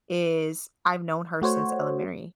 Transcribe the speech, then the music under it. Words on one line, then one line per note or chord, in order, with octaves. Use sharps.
is I've known her since elementary,
A3 F#4 C5 C#5